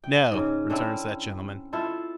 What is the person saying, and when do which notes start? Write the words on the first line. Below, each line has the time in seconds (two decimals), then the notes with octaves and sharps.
'No,' returns that gentleman.
0.04 G5
0.31 G#2 C#3 C#4
0.70 D3 C4 C#4 E4
1.73 E4 F4 A4 C5